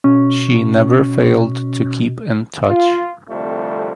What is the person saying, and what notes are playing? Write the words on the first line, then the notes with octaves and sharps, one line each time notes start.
She never failed to keep in touch.
B2 C#4
F4
C2 F2 D3 G3 A3